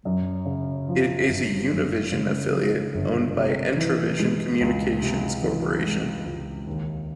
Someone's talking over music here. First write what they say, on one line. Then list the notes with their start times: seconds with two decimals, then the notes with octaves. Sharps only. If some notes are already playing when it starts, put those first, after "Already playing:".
It is a Univision affiliate, owned by Entravision Communications Corporation.
0.05 F#2
0.46 C#3
0.88 F3
1.29 G1
1.70 F#2
2.12 C#3
2.53 F3
2.94 G1
3.36 C3
3.77 E3
4.19 G#3
4.60 C#2
5.02 C3
5.43 E3
5.84 G#3
6.25 C#2
6.67 D#2